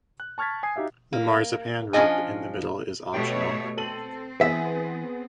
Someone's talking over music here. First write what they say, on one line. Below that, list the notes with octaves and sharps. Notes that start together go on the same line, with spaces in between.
The marzipan rope in the middle is optional.
F#6
A5 C#6 F6 G#6 A6 B6
G#5 D#6 G#6 C7
D#4 F#4 G4 E5 F5
A#3
F3 C#4 D4 D#5 G#5
B2 A3 G4 C#5 G5
C4 A4 D#7 F#7
E3 B3 G#4 E5